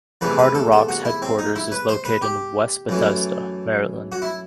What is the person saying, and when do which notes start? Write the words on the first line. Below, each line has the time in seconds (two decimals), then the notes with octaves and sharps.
Carderock's Headquarters is located in West Bethesda, Maryland.
0.21 E2 C3 E3 A3 B4
0.39 B4
0.55 A4
0.72 A4
0.89 F#4
1.05 E4
1.22 C4
1.39 D#4
1.56 E4
1.72 B4
1.89 C5
2.05 B4
2.22 G4
2.89 F#2 E3 A3
4.12 F#4
4.22 E4